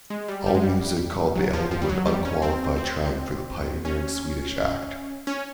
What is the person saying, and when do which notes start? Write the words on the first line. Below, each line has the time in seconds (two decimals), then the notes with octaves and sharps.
AllMusic called the album an unqualified triumph for the pioneering Swedish act.
0.10 G#3
0.28 G3
0.46 G3
0.55 G#3
0.63 G3
1.35 F#3
1.53 F3
1.71 F3
1.82 G3
1.89 F#3
2.06 G3
2.25 C#4
2.42 C4
2.78 C4
3.85 C#4
5.27 C#4